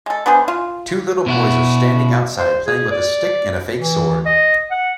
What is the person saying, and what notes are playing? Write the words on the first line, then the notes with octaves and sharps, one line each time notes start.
Two little boys are standing outside playing with a stick and a fake sword.
G#3 A4
B3 D4 G#4 C5
F4
B2 E4 F#4
C5
G#4
D5
E3
D#5
F#5